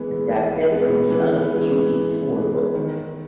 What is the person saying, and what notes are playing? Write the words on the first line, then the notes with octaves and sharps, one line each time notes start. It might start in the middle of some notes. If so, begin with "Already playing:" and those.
Adapted from the "Ugly Beauty" tour book.
Already playing: E3 G#3 B3
E3
G#3 B3
E3
G#3 B3
E3
G#3 B3
D#3